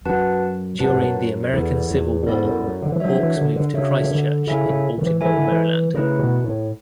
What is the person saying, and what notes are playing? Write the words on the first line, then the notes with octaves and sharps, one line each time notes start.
During the American Civil War, Hawks moved to Christ Church in Baltimore, Maryland.
F#2 F#4 B4 F#5 A5
F#2 F#4 B4 F#5 A5
G#2
F#2
E2 B3 E4 A4 D5
E2
A2
G#2 B3 E4 A4 D5
F#2
F#2
D3
E3
F#3 D4 F#4 C#5 E5
E3
D3
D3
C#3 D4 F#4 C#5 E5
C#3
D3
C#3 E4 A4 E5 G#5
C#3
D3
E3
E3 E4 A4 E5 G#5
D3
E3
C#3 A3 E4 B4
B2
A2